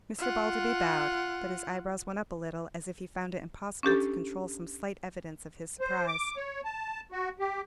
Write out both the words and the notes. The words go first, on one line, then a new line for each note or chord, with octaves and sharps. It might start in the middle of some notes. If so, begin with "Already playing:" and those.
Mr. Balderby bowed, but his eyebrows went up a little, as if he found it impossible to control some slight evidence of his surprise.
F4 F#5
C#4 D4 G4 A4
C5
D6
C#5
A5
F#4
G4